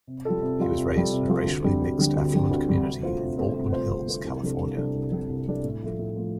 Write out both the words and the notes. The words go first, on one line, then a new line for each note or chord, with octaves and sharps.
He was raised in a racially mixed affluent community in Baldwin Hills, California.
C3
G3 F4 A4
C3
G3 F4 A4
C3
G3 F4 A4
C3
G3 F4 A4
D2
D3 G3 C4
D2
D3 G3 C4
D2
D3 G3 C4
D2
D3 G3 C4
C3
A3 F4 C5
C3
A3 F4 C5
C3
A3 F4 C5
C3
A3 F4 C5
C2
C3 G3 D4 A4
C2
C3 G3 D4 A4
C2
C3 G3 D4 A4
C2
C3 G3 D4 A4
A2
F3 A3
A2
F3 A3